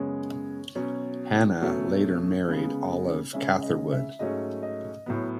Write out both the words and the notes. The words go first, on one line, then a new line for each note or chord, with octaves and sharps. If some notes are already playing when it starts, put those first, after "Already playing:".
Hanna later married Olive Catherwood.
Already playing: F#2 C#3 G#3 B3 C#5
B2 F#3 C#4
B2 F#3 A3 C#4
C#3 G#3 B3
C#3 G#3 C#4 E5
D#5
E5
G#2 F#3 A3 C#4 D#5
D#5
A2 F#3 B3